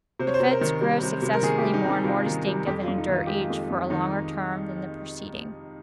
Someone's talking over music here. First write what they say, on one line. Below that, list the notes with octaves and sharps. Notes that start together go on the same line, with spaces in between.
The fits grow successively more and more distinctive, and endure each for a longer term than the preceding.
C3 C5
C#5
C5
C3
A#4
D#3
G3
C3
C3
A#4
D#3 G#4
G4
G3
D#4
C3
D#4
C3 F4
D#3
G3
F2 G4
F4
F2
D#4
D#3 F4
G#3 G4
F4
F2
F2
D#3 D#4